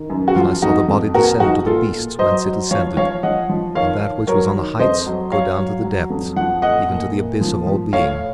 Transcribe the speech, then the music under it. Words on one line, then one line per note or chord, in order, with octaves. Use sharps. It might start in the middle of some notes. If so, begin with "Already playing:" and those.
Then I saw the body descend to the beasts whence it ascended, and that which was on the heights go down to the depths, even to the abyss of all being.
Already playing: D#3
F#2
F#4
F3 F4
F2 D#4 F#4
F2
A#2 F#4 A#4
F3 D#4 F#4
A#2 F4 A4
A#2
F#3 C5 D#5
F#3
F3 C#5 F5
F3 C#5 F5
F3 D#5 F#5
F3
D#3 C#5 F5
D#3
F#3 A#4 C#5
D#3
F2 C5 D#5
F#3
F#3 C#5 F5
F#3
F#3
F2
F3 F#5
A2 D#5 F#5
A#2
A#2
F3
F3
A2 C#5 F5